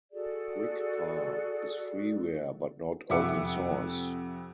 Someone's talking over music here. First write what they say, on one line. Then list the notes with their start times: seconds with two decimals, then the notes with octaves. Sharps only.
QuickPar is freeware but not open source.
0.12 F#4 G#4 A4 D5
3.10 F2 C3 E5 F#5 D6 C#7